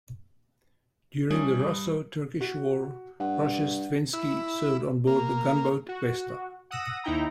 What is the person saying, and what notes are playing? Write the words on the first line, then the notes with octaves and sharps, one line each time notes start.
During the Russo Turkish War Rozhestvensky served on board the gunboat "Vesta".
E3 F3 G3 C#4 D#6
G2
F#4
G2 F#5
E4
A#3
F#4
F#5 D#6 E6 A#6
D#2 D#4 E4 G5 A#5